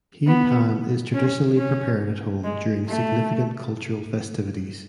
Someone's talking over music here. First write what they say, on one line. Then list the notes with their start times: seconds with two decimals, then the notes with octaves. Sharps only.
Hee pan is traditionally prepared at home during significant cultural festivities.
0.27 B3
1.14 C#4
1.57 C#4
2.44 G#3
2.88 A3